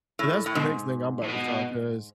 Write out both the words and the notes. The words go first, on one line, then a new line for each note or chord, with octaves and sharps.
but that's the next thing I'm about to try 'cause
A2
A2
G#2 B2
A2
B2